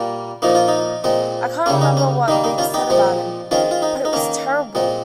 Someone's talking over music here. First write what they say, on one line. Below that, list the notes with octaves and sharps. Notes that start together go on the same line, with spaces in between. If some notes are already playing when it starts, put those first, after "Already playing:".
I can't remember what Big said about him, but it was terrible.
Already playing: A#2 G3 A#3
A#2 F3 A#3 D#4
F4
D#4
A#2 G#3 C4
C#3 G3 A#3 C#4
D#4
C#4
D#3 G3 A#3 D#4
D#4
C#4 F4
D#4 G4
A#2 F3 G#3 C4
D#3 G#3 C4 C#4 F4
F4
D#4
D#4
D#3 A#3 C#4
A#2 G#3 C4